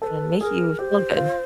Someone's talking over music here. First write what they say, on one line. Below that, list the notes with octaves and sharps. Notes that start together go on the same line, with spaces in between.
and make you feel good.
A4 C5
B4
G#4 A#4
G4 C5
G4
F4